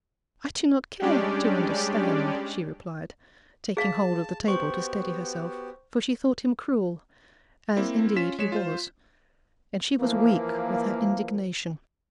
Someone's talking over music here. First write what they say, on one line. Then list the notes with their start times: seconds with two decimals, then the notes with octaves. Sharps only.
'I do not care to understand,' she replied, taking hold of the table to steady herself; for she thought him cruel--as, indeed, he was--and she was weak with her indignation.
1.02 G3 G#3 C#4 D4 G4 D5
3.77 G#4 F5 A5
4.48 B3 F#4 G4 C5 C#6
7.76 A#3 C4 E4
8.16 C#4 F4 B6 E7
8.39 G#3 C#5 E7
8.52 F4 C5
9.99 E3 F3 A#3